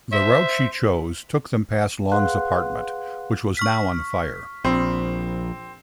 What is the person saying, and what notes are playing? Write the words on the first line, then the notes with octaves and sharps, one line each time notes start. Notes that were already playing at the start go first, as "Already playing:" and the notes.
The route she chose took them past Long's apartment, which was now on fire.
C5 E5
G#4 B4 F5 F#5 C6 F#6
C#6 F6 B6
A#1 C4